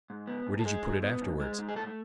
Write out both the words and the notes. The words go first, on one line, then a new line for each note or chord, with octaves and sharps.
"Where did you put it afterwards?"
G#2
B3
G#2
A4
G#3 G#4
G#2
B3
G#2
G#3
G#2
G#4
A3 A4